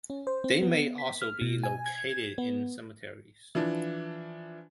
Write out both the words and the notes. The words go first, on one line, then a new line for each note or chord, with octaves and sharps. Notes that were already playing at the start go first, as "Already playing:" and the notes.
They may also be located in cemeteries.
C#4
C5
C4
B3
B6
F6
B2
G#5
G#6
B3
E3 F3 D4